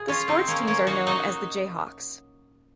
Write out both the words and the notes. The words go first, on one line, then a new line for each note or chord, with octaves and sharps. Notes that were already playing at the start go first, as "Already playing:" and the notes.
The sports teams are known as the Jayhawks.
Already playing: A#2 G#4
C#4 F4
C4 D#4
A#3 C#4
A#3 C#4
D#4 F#4
A#2 F#3 D#4 F#4